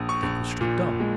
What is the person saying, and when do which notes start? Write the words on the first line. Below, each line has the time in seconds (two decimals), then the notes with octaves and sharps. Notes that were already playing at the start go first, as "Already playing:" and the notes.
Dick was struck dumb.
Already playing: A#1 D#6
0.09 C#6
0.22 A#1
0.61 A#2
1.00 G#3